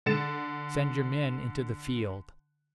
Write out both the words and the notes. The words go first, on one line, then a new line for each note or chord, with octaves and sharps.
Send your men into the field.
D3 A6 C#7 E7